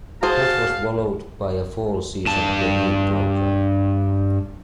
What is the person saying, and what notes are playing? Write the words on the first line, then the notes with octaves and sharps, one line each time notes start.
That was followed by a fall season preview program.
F#4 G#4 C5 F5 A5
G2 A5